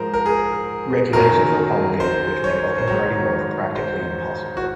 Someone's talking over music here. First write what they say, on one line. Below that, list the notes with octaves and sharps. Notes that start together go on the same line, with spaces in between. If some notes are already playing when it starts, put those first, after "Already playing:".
Regulations were promulgated which made open party work practically impossible.
Already playing: G#2 F3 A#4 C5
A#4
G#4
F#2 D#3 F#3 A#4
C5
C#5
C5
G#2 D#3 F#3 C#5
C5
F#4